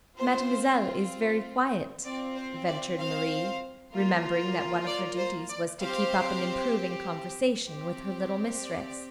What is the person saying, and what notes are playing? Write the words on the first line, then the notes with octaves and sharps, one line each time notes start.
"Mademoiselle is very quiet," ventured Marie, remembering that one of her duties was to keep up an improving conversation with her little mistress.
C4 F4 C5
C4 F4 D5
C5
D5
C5 F5
A#3 F4
D5
C5
D5
C4 G4 C5 F5
C4 G4
D5